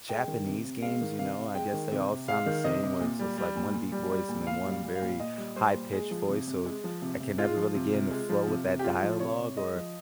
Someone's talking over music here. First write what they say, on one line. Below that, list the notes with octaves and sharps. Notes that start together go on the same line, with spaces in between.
Japanese games, you know, I guess they all sound the same, where it's just, like, one deep voice and then one very high-pitched voice, so I can never really get in the flow with that dialogue, or,
G#3 G5
D#3
C3
C3
G#3 F5
D#3
C3 F5
C3
G#3 G5
D#3
C3
C3
G#3 F5
D#3
C3 D#5
C3
A#2
G3
G3
A#2
A#2
G3
G3
A#2
A#2 F5
G3
F5
G3
F5
A#2
A#2 D#5
G3
G3 C5
A#2
G#3 G#4
F3
C3
C3
G#3
F3
C3
C3
G#3 F4
F3
C3
C3
G#3
F3
C3
C3
G4
G#3 F4
F3
C3 C#5
C3
G#3 D#5
F3